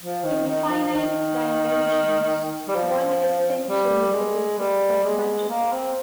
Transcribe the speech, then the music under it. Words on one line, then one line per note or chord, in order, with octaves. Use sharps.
In finite-dimensions, one essentially deals with square matrices.
F3
D#3
D#3
F3
D#3
G3
F3
G3
G#3
G3
G#3
A#3
C4